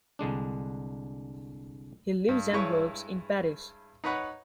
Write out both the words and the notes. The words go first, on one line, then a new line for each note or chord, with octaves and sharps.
He lives and works in Paris.
C2 D3 G#3 D4
G2
G2 G#3 E4 B4 C#5 C#6
D#4 B4 C#5 F#5 B5